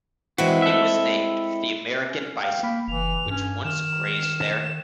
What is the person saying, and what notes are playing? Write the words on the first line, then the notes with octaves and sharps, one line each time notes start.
It was named for the American bison, which once grazed there.
E3 G#3 C4 E4 F#4
A4 E5
C#4
F5 G5
A#3 B5
F#1 E3 F7
G2 C#4
D#3 F6 E7